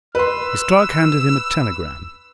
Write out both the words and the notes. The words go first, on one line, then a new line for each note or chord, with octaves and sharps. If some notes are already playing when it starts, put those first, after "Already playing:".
His clerk handed him a telegram.
B4 C6 E6